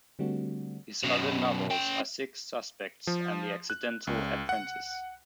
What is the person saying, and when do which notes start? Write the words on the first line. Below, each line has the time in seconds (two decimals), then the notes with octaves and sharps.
His other novels are "Six Suspects" and "The Accidental Apprentice".
0.19 D3 G3 A3 C4 D4 F#4
1.03 F#2 B2
1.71 C#4 G5
3.07 F3
3.70 F#6
4.07 C#2
4.49 F#5